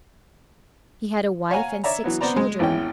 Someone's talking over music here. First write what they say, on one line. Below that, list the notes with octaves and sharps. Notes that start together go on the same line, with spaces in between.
He had a wife and six children.
C#5 F5 F#5 G#5 A#5
C#5 D5 E5 A#5
E3 F#3 B3
B3 C4 C5 D5 A#5
G#3
G#1 E2 E3 C#4 G5